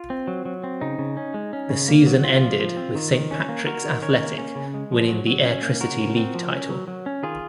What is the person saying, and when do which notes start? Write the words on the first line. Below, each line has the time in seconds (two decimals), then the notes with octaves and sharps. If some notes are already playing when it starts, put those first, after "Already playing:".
The season ended with Saint Patricks Athletic winning the Airtricty League title.
Already playing: F4
0.10 C4
0.28 F#3
0.45 F#3
0.64 C4
0.81 C#3 D#4
0.99 C#3
1.17 C#4
1.34 G#3
1.53 C#4
1.70 C#3
1.88 A#3
2.06 F#3
2.24 C4 F4
2.41 F3
2.60 F3
2.77 C4
2.95 D#3
3.13 D#3
3.31 C#4
3.49 A#3
3.66 D#3 F#4 A#4
3.85 D#3
4.02 C#4 A#4 C#5
4.20 A#3
4.38 C#4
4.55 C#3
4.74 G#3
4.92 F3
5.09 F#3
5.27 F#3
5.46 C#4
5.62 A#3
5.81 C#3 F#4 A#4
5.99 C#3
6.17 C4
6.35 F3
6.52 C#4
6.70 F#3
6.88 F#3
7.06 C#4
7.23 D#3 F4 G#4